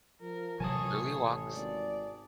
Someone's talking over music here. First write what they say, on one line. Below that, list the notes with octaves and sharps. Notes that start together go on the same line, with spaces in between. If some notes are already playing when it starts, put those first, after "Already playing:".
Early walks.
F3 A#4
A1 C3 F#3 C#5 G#5 A5 D#6
G#1 D5